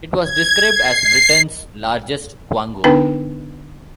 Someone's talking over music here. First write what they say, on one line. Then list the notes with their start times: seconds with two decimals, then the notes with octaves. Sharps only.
It was described as Britain's largest Quango.
0.22 G#6
0.75 C7
2.84 D3 B3 D4 D#4 B4 G5